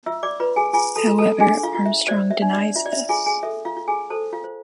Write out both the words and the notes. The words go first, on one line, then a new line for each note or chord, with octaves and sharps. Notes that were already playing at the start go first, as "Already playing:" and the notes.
However, Armstrong denies this.
F4 E5 E6
D5 D6
F4 B4 B5
G#4 G#5
F4 G#4 G#5
A4 A5
F4
A4 A5
D4 G#4 G#5
F4 F5
F4
E5
C5 D5
E5
D4
D5
F4 E5
D5
E5
F4 G#4 G#5
G#4 G#5
A4 E5
F4 F5
F4
G#4 G#5
A4 C5 A5
F4 F5
C5